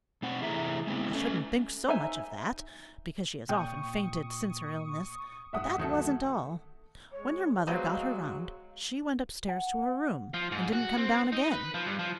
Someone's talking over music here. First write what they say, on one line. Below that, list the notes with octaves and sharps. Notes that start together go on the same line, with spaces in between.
I shouldn't think so much of that, because she has often fainted since her illness, but that wasn't all. When her mother got her round she went upstairs to her room, and didn't come down again.
B2 C4 F#5
C3 E3 A3 G#4 E5 A#5
G#3 B3 C4 E4
A3 C#4
D#4 E5 G#5
A#2 G5 C#6 D#6
G2 E5 F#5 D#6
D2 D#3 F#3 A4
G#3 C#5
F#3 G#3 B3 C4 D#5 F5
F#5
F3
G#2
F#4
C4
D#4
B4
F3
G2
F3